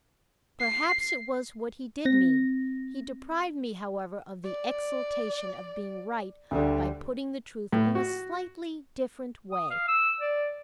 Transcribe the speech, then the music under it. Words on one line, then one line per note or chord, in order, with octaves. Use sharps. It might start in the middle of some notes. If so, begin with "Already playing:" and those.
Perhaps it was what he did mean; he deprived me however of the exultation of being right by putting the truth in a slightly different way.
C7
C4 A#6
D5
D2 D3 G3
A2
F#4
D#6
F5
E6
D5